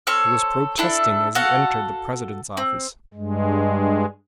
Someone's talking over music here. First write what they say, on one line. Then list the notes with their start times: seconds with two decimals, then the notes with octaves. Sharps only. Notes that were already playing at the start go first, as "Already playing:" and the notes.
He was protesting as he entered the president's office.
0.07 C4 A4 C#5 F6
0.78 D4 E4 A4
1.35 F#4 A4 F5 F#5
2.57 C4
3.14 G2 G#3